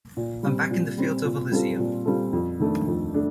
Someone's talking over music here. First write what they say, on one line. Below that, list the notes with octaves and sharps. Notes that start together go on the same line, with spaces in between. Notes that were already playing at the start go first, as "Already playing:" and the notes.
I'm back in the fields of Elysium.
A#2
G3 C4
A#2
G3 C4
A#2
G3 C4 F4 A4
A#2
G3 C4 F4 A4
F2
D#3 A3 D4
F2
A3 D4